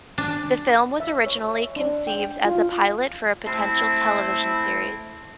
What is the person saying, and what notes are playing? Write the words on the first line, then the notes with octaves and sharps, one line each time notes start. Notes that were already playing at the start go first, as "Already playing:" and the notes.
The film was originally conceived as a pilot for a potential television series.
D4
E5
C#5
E5
D4
G5
F4
A3 C4 E4